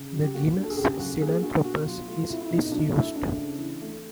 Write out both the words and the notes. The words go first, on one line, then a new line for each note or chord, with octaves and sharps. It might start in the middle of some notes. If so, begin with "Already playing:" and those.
The genus "Sinanthropus" is disused.
Already playing: C#3
F#3
G4
A#3 F#4
D4
A4
G#4
C#3 G4
F#3 F#4
A#3 G#4
D4 F#4
B2 F#4
F#3 F4
A3 F4
C4 E4
E4
B2 D#4
D#4
F#3 D4
A3 E4
C4 D4
C#3
E3
A3